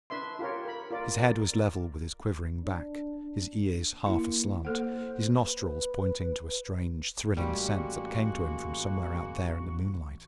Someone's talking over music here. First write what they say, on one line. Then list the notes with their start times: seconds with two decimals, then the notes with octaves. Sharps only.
His head was level with his quivering back, his ears half aslant, his nostrils pointing to a strange thrilling scent that came to him from somewhere out there in the moonlight.
0.10 D4 B4 E5 C6
0.39 F4 G4 A#4 C#5
0.65 A#4 B5
0.91 F4 A#4 D5
1.19 A#4 D5
2.64 D4
4.06 A#3 E4
4.65 A#3 A4 C5 F#5
5.38 B4
7.37 A1 G3 G#3 A#3 F#4